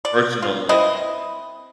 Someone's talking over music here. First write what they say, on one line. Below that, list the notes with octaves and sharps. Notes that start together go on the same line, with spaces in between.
personal and
D5
F4
C4 E4 B4 D#5